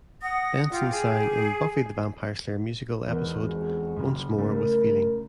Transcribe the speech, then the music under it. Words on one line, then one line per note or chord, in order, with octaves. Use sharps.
Benson sang in the "Buffy the Vampire Slayer" musical episode "Once More, with Feeling".
F#5 D#6 A#6
F4 G4
G#4
E2 G#2 B3 A#4
F2 G#3 F#4
F#2 C#3
C#3 A3 A#4